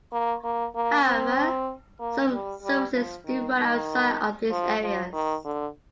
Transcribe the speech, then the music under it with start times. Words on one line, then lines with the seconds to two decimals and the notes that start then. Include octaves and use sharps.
However, some services do run outside of these areas.
0.13 A#3
0.44 A#3
0.75 A#3
1.06 C4
2.00 A#3
2.32 G3
2.63 G3
2.94 F3
3.25 D#3
3.57 D#3
4.50 F3
4.82 F3
5.13 D#3
5.45 D3